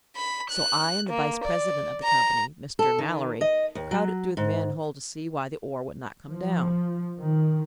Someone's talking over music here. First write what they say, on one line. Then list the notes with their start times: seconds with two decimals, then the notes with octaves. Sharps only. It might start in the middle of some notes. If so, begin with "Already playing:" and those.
So I and the vice-president of the company, Mr. Mallory, crowded through the manhole to see why the ore would not come down.
0.16 B5
0.50 F#6
1.09 A#3
1.44 D5
2.04 A#5
2.79 A4
2.98 D#3
3.41 D#5
3.75 D#2
3.91 F#3
4.37 G#2
6.29 F3
7.19 D#3